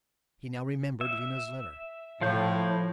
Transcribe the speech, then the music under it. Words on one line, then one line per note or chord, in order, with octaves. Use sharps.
He now remembered Lena's letter.
E5
A2 F3 F5 G6